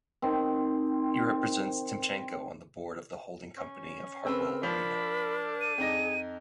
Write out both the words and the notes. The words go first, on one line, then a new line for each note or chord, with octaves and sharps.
He represents Timchenko on the board of the holding company of Hartwall Arena.
D#3 C4
C#4
C#3 C4 A#4 B4 E6
F3 D4 B5
D#7
F2 D#4 G#4 A#6